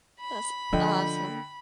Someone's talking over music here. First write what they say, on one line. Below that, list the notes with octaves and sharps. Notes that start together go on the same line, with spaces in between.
That's awesome.
B5
D3 F3 D#5 G5